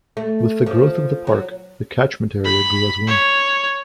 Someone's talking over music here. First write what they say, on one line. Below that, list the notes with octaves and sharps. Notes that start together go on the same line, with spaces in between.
With the growth of the park, the catchment area grew as well.
A3
F3
F#3
B5
C#5